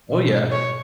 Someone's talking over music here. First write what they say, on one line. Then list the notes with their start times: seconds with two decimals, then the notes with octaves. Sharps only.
Oh, yeah.
0.10 B2
0.52 C#5